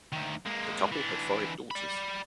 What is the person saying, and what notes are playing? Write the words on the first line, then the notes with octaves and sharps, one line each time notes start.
The couple had five daughters.
D2 D#3
G#3 A#3
E3 D4
D5 B5